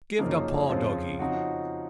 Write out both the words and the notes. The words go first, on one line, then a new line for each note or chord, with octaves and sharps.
Give the paw, doggy!
F#2 C#3 F3 A#3 D#4
F2 C#3 F3 C4 F4
C#3 F3 C4 D#4 F#4